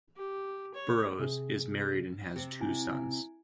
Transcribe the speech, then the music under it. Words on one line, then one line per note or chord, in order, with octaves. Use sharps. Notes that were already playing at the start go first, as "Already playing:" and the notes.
Burrows is married and has two sons.
G4
C#5
C3 G#4
C3 C4 G4
E4 G#5